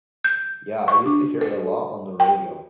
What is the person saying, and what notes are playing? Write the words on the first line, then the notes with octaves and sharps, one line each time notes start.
Yeah, I used to hear it a lot on the radio,
G6
C#6
D4
A4
G5